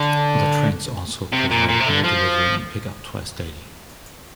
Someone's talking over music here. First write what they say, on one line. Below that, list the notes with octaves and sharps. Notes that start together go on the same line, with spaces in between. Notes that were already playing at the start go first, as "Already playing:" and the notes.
The trains also provided mail delivery and pick-up twice daily.
Already playing: D3
C3
A#2
A#2
C3
D3
F3